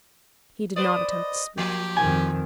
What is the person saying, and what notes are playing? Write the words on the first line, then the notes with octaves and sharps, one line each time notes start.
He did not attempt to speak.
B4 C5 D5 D#6
D#5
F3 A#3 G4
F2 D#3 G#5